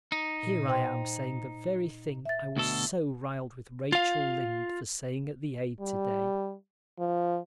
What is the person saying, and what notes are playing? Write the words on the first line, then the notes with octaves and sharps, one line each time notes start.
Here I am saying the very thing I was so riled with Rachel Lynde for saying at the Aid today.
D#4
A#2
C5 G5 C6
E5 A6
D2 B2 A4
F4 F5
G3
F3